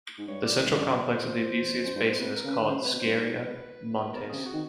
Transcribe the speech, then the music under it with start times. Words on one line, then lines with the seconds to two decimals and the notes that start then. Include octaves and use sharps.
The central complex of the Odysseus basin is called Scheria Montes.
0.18 G#2
0.27 G2 C#5
0.43 D5
0.60 G2 D#5
0.75 F#2 D5
0.91 D5
1.08 C5
1.23 E2
1.49 E2
1.61 E2
1.72 F2
1.84 F#2
1.96 G2
2.09 B2
2.20 C3 B4
2.36 A#4
2.45 C#3
2.52 B4
2.60 D3
2.69 C#3 C5
2.81 C3
2.84 B4
2.93 B2
3.00 G2 C5
3.17 G#2 B4
4.13 B2 A#4
4.30 C#3 G#4
4.37 C3
4.45 F#4
4.53 D#3